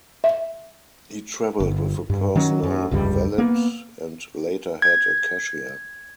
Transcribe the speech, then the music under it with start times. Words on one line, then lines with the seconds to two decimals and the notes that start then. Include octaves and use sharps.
He travelled with a personal valet and later had a cashier.
0.24 E5
1.60 G1
2.10 G2
2.35 D#3 F#3 C#4
2.63 F#2
2.91 F1 C#2 G2 G3
3.38 A#3 B3
4.82 G#6